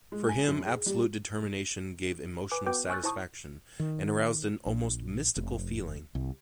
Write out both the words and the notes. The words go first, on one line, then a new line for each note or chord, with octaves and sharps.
For him absolute determination gave emotional satisfaction and aroused an almost mystical feeling.
G#3
G#5
F#2
G#4
G3
B4 G#5 D6
B3 F#4 B4 G5 D6 G6
G#5 C#6 E6 F#6 G6 A6
E4 C5 A5 C#6 D#6
D#3
A#1
F1
C2